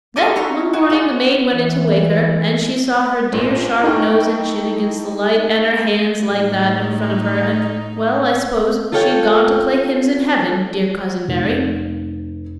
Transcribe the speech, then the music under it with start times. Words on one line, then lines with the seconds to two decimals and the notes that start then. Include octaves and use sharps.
Then, one morning, the maid went in to wake her, and she saw her dear sharp nose and chin against the light, and her hands like that, in front of her--and--well, I suppose, she'd gone to play hymns in heaven--dear Cousin Mary!
0.16 F4 A4 D#5 F5 A5 D6
0.36 D#4 F#4 E5 A#5 C6 C#6
0.73 F#4 G#5 C#6
0.90 F4 G#4 D5 F#5
1.54 E3
3.33 A#1 C5
3.84 D#4 E4 A4 G5 C#6
6.32 A2 D#4
8.92 F4 G4 A4 C#5 F5 G5
11.27 F1